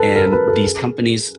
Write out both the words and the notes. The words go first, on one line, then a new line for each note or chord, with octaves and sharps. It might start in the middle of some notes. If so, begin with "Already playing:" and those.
em, these companies
Already playing: A4 B4
A#4
A#4
B4
A4
G#4